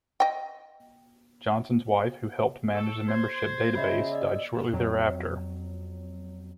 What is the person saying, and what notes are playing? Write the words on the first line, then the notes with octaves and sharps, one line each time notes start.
Johnson's wife, who helped manage the membership database, died shortly thereafter.
D#5 G5
A4 C#6
C5 G#6
C#3 D#5 E5 B5
D5 D#5 E6
F2 F#3